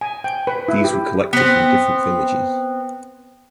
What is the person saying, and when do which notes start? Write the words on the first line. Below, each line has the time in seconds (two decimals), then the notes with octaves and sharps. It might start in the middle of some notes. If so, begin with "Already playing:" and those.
These were collected from different villages.
0.01 G#5
0.24 G5
0.47 B4
0.68 E4
0.84 G4
1.33 B3 C4